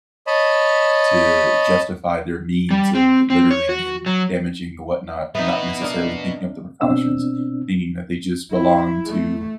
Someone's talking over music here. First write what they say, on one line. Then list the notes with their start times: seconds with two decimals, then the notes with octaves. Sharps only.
to justify their means of littering and damaging the whatnot, not necessarily thinking of the precautions, thinking that they just belong to,
0.27 C#5 D#5 A5 B5
2.71 G3
2.95 C4
3.30 C4
3.51 C#5
3.69 F#4
4.06 F#3
5.35 B2 B3 D#4 B4 E5
5.81 D4 A#4 D#5
6.81 B2 C4 D4 E6
8.51 E4
9.06 A3